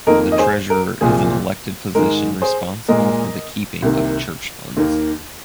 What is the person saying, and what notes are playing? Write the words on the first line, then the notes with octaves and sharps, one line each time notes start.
The treasurer is an elected position responsible for the keeping of church funds.
F2 D#3 A#3 A#4 D#5
D#5
G#4 C5
A#4
C2 A#2 F3 A#3 G#4
G#2 D#3 G#3 A#4
G#4 C5
A#2 G#3 A#4 D#5
C2 C3 D#3 A#3
D#2 D#3 A#3